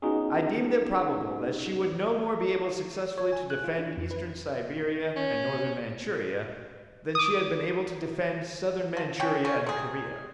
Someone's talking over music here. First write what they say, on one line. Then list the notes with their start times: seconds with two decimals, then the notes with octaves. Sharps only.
I deemed it probable that she would no more be able successfully to defend Eastern Siberia and Northern Manchuria than she had been able to defend Southern Manchuria and Korea.
0.02 B3 C#4 D#4 F4 F#4 G#4
3.18 C#5
3.32 G#5
3.50 F#6
3.64 F4
3.79 D4
3.97 F2
4.11 B4
5.16 C#4
7.15 D6 D#6
8.97 F3
9.20 C#4 G5
9.45 C#4
9.66 C3 G#4